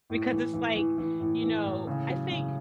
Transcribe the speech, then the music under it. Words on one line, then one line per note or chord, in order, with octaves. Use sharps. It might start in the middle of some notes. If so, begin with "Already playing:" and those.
because it's like you know, I think
A2
E3
E3
E3
E3
A2
E3
A2
C#3
F#3
C#3